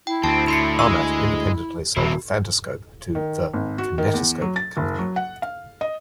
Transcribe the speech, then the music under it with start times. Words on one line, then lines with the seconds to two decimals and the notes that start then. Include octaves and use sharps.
Armat independently sold the Phantoscope to The Kinetoscope Company.
0.07 E4 G5
0.24 D2 C4 A5
0.48 A2 A3 C6 C7 C#7
0.79 G#3 G#4 E6
1.97 D#1 C3 E4 F#4
3.15 D#3
3.53 G#1
3.78 F#4
3.98 D#3
4.14 E2
4.41 F#3
4.56 A6
4.77 F#1
4.98 F#3
5.16 F#5
5.42 F5
5.81 D#5